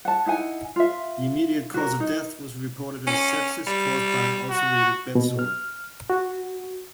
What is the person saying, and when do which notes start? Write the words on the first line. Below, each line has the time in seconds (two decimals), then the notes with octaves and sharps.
The immediate cause of death was reported as sepsis caused by an ulcerated bedsore.
0.05 F#5 A5
0.26 D#4 E4 F#5 G#5
0.76 F4 E5
1.74 F#4 A#4
2.00 D#4
3.07 C#4
3.67 G3
4.50 F#4
5.15 B2
5.39 F6
6.10 F#4